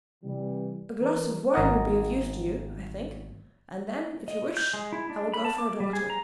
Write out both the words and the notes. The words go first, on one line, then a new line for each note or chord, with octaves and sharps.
"A glass of wine would be of use to you, I think, and then, if you wish, I will go for a doctor."
C3 E3 G3
E3 A#4 B4
G#1 A#4 D#5 F#5
D#5
G6
G#3
E4
D4
B5
A5
D6
G3
G#4
A#5